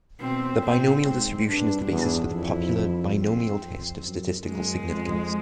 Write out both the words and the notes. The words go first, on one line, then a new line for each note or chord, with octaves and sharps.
The binomial distribution is the basis for the popular binomial test of statistical significance.
B2 C4
A#2 C4
G#2 C4
G2 D4
E2
F2 E4
C4
F2
F#2
F#2 G#3
F2